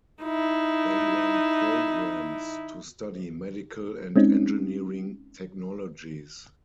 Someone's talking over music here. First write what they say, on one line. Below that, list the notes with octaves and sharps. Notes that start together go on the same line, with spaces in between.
They run programmes to study medical and engineering technologies.
D#4 E4
G#3 C4 C#4 D#4